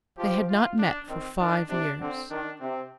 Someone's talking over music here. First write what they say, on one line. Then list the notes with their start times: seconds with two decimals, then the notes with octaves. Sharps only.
They had not met for five years.
0.17 F3 G4
0.48 F4
0.78 D4
1.09 D#3 C4
1.40 D#3 D4
1.69 C3 D4
2.00 D3 C4
2.30 D#3 D4
2.60 C3 C4